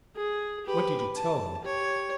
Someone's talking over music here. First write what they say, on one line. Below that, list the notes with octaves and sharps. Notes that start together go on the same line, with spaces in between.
"What did you tell him?"
G#4
G4 B4
A5
G4 C#5